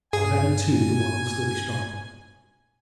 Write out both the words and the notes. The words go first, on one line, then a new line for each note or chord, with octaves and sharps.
Of any two the one will still be stronger.
G2 G#4 G#5